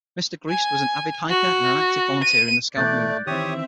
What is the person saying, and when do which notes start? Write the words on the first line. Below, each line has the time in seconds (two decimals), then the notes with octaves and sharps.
Mr. Greist was an avid hiker and an active volunteer in the Scout movement.
0.49 G#5
1.30 F#4
2.23 D#7
2.76 B2 E3 A3 D5 F#6 G6 A6
3.27 D#3 E3 C4 G4 C#5 E5 D#6